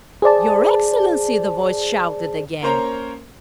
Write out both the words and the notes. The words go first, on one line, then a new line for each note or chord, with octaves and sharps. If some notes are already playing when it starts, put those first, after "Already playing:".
"Your Excellency!" the voice shouted again.
G#4 C5 D5 A5
A#3 C#4 A#4 C5 C#5 A#5